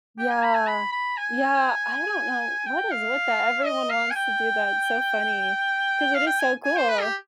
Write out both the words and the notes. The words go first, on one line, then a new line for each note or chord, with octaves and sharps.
Yeah. Yeah, I don't know what is with that, everyone wants to do that, it's so funny, 'cause it is so cool.
G5
G#5
B5
G#5
B5
B5
G#5
G5
F5
D#5
F5
G#5
G5
F5
G5
G#5
G#5
C5
B4
G4